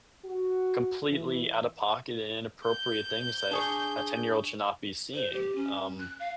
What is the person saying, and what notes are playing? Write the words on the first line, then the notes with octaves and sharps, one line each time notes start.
completely out-of-pocket and inappropriate things that a ten-year-old should not be seeing, um,
F#4
E3
G6
D4 G#4 C#6
C5
G4
C#4
F#6
F5